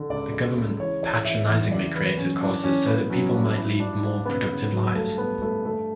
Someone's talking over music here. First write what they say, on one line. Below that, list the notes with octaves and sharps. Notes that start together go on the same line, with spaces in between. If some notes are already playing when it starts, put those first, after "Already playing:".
The government patronizingly created courses so that people might lead more productive lives.
Already playing: D3
C#2 D5
C#2
C#2
E3 C#5
E3 D5
E3 E5
E2 E5
C#3 D5
E2 B4
F#2 C#4
E3 D4
E3 C#4
G2 B3
F#3 C#4
G2 D4
F#3 E4
G2 D4
G2 D4
C#3 B3
C#3
F#3
G2 A3
G2 B3
G2 A3
D3 A3